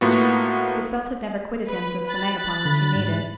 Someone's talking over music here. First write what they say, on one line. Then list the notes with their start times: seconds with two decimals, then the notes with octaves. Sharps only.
This belt had never quitted him since the night upon which he made it.
0.01 A2 A#3 B3 F4 F#4
1.69 B4
2.10 B5 F#6 A6
2.65 D3
2.96 G#2